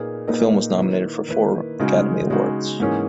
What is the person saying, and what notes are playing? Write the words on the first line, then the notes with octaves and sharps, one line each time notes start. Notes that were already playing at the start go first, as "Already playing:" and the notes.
The film was nominated for four Academy Awards.
Already playing: A#2 A#3 D#4 G#4 B4
A#2 A#3 D#4 G#4 B4
D#3 A#3 E4 B4
D#3 A#3 E4 B4
C#3 G#3 D#4 F#4
C#3 G#3 D#4 F#4
G#2 E3 A#3 C#4 G#4